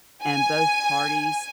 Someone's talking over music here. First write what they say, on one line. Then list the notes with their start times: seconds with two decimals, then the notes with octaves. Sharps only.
and both parties
0.23 G#5